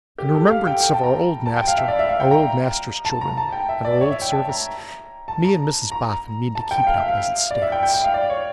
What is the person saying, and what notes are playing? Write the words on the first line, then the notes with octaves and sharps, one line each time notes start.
In remembrance of our old master, our old master's children, and our old service, me and Mrs Boffin mean to keep it up as it stands.'
G4
A4
F5
G5
G5
A5
A#5
A5
G5
F5
E5
D5
E5
F5
G5
A#5
A5
A#5
A5
G5
E5
D5
C#5
E5
G5
A5
A#5
A5
A#5
A#5
A5
G5
F5
E5
F5
D5
E5
G5
G5
G5
F5
D5
C#5